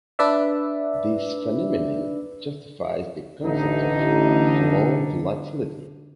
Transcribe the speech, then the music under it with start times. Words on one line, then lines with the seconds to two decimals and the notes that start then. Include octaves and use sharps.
This phenomenon justifies the concept of "floor volatility".
0.19 D4 B4 D5 E5
3.43 A1 D3 D#4